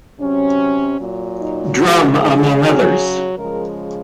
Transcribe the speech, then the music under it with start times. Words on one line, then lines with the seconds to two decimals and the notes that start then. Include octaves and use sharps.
Drum among others.
0.20 C3 F#3 C#4
0.99 A#2 F#3
1.38 D#4
1.78 C#3 F3 G#3 F#4
2.18 G#4
2.57 C#3 F#3 G#4
3.36 C#3 F3 G#3 A#4